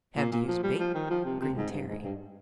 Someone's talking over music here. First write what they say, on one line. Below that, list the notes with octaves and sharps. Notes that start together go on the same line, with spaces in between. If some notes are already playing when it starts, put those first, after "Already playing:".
"Have to use bait," grinned Terry.
A#2
A#2
F3
G3
F3
D#3
F3
C3
C3
G#2
G2
G#2
G2